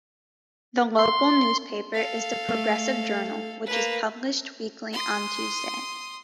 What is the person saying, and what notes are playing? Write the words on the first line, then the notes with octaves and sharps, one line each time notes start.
The local newspaper is "The Progressive Journal", which is published weekly on Tuesday.
C6
A4 F5
A3
A#3 B4
C6 D#6